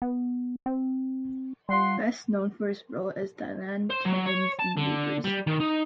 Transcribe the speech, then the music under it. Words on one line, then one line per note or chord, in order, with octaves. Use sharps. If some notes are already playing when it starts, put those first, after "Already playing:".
Best known for his role as "Dylan Timmins" in Neighbours.
B3
C4
G3 F4 F#5 C6
C5
F#3
C#5
A5
D3
G3
D#3
D#4